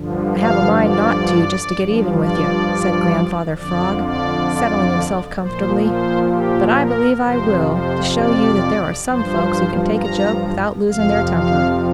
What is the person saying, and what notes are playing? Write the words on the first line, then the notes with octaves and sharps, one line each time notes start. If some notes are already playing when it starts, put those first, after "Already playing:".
"I have a mind not to, just to get even with you," said Grandfather Frog, settling himself comfortably, "but I believe I will, to show you that there are some folks who can take a joke without losing their temper."
Already playing: G2 D3 F3
F5
D5
G2 F3
D5
F2 D3 F3 D5
D5
A#2 F3 C5
C5
G4
A#4
F2 C3 F3 C5
C5
D5
G2 F3 C5
A#5
F2 C3 F3 F5
F5